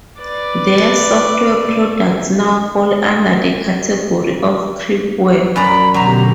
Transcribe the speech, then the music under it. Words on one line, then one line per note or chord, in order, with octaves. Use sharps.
Their software products now fall under the category of crippleware.
B4 D5
F#2 D5 A#5 B5
B2 D3 F#3 G4 C5 A#5